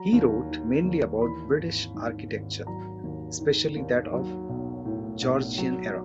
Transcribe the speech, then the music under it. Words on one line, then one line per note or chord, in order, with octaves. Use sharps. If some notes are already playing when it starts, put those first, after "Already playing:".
He wrote mainly about British architecture, especially that of the Georgian era.
Already playing: F#3 A#5
D#2
D#3
D#2
E3 B5
G#1
G#2
G#1
F#3 A#5
D#2
D#3
D#2
F#3
B1
A2
B1
F#3